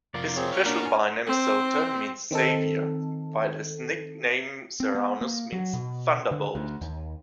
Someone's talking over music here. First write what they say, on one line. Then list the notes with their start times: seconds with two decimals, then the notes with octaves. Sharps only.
His official byname "Soter" means "Saviour", while his nickname "Ceraunus" means "Thunderbolt".
0.14 F2 C3 F4 A#4 D5
0.36 C4 G#4 C#5
0.52 B3 C#4 F#4 F6
0.65 A#3 D4 A#5
0.86 G#5 A#5
1.26 C4
2.31 D#3 C4 D#4 A4
4.80 C4
4.95 B3
5.21 A#3
5.52 F#3
5.74 B2
6.31 D3
6.55 D2
6.81 D#2